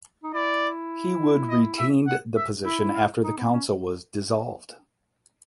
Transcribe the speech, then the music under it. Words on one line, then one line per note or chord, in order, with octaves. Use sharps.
He would retained the position after the council was dissolved.
D#4
E4 D5
D#5
E5
F#5
E5
E4 E5
F5
D#4
B3
C#4